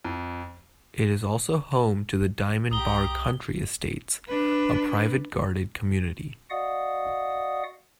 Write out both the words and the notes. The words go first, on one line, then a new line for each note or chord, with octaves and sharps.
It is also home to the Diamond Bar Country Estates, a private guarded community.
F2
C2 G4 A#5 D#6 G7
D4 B4
F#4 D5 D#5 F5 F#5 D#6